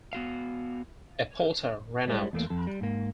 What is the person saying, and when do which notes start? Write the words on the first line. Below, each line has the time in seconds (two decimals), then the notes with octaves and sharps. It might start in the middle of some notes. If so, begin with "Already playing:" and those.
A porter ran out.
0.13 B3 F#4 F5
2.07 G3 G#3 E4 C5
2.33 E2 A3 A#3
2.50 F2 A4
2.67 G3
2.81 G#2 A#3